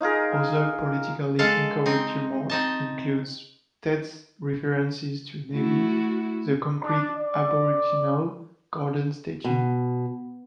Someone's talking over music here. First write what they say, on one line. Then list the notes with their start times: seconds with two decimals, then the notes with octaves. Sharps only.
Other politically incorrect humour includes Ted's references to Neville, the concrete Aboriginal garden statue.
0.01 D#4 F4 G#4 A#4
1.39 G#3 A4 F5 A5
1.86 C4 D#4
2.50 C4 D#4 A5
5.51 A3 E4 F#4
6.83 D4
7.18 D5
9.45 B2